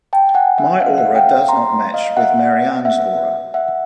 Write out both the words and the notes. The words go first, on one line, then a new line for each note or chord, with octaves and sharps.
My aura does not match with Marianne's aura.
G5 A5
F#5 G#5
E5 F#5
D#5 F5
E5 F#5
F5 G5
A#5 C6
D#5 F5
E5 F#5
E5 F#5
E5 F#5